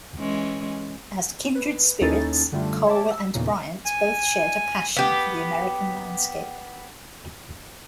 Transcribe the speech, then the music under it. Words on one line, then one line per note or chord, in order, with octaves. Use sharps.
As kindred spirits, Cole and Bryant both shared a passion for the American landscape.
E3 G#3 C#4
B4
D#2 C#4 D#4 E4 A4 A6
F#2 D3 G3 A3 F4
C#5 E5 A5 D6
E6
E2 A#2 C#3 D#4
G#5
B3 G4